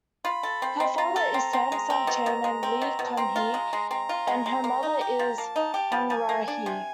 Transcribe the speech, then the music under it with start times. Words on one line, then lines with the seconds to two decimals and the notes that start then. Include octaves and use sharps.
Her father is Samsung chairman Lee Kun-hee, and her mother is Hong Ra-hee.
0.25 F4 B5
0.43 A4
0.62 C4
0.80 C4
0.98 F4 A#5
1.16 A4
1.34 C4
1.53 C4
1.72 G#3
1.90 C4
2.07 B2
2.26 B2
2.44 G#3
2.63 C4
2.82 B2
2.99 B2
3.06 A5
3.17 C4 A#5
3.36 F4
3.54 G#3
3.73 G#3
3.91 C4 A#5
4.09 F4
4.27 G#3
4.46 G#3
4.64 A#3
4.83 D#4
5.01 G4
5.19 F3
5.38 A#3 A5
5.56 D#4
5.74 G4
5.92 F3
6.10 F3 G#5
6.29 A#3
6.48 D4
6.66 C3